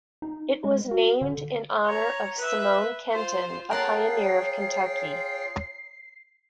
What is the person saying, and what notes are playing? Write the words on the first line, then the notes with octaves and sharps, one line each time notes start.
It was named in honor of Simon Kenton, a pioneer of Kentucky.
D#4
G#3
F#4
D3
C#5 A#5
B4 E5
F4 C5
F4 G#4 A#4 C#5 F#5 G5 A5 C7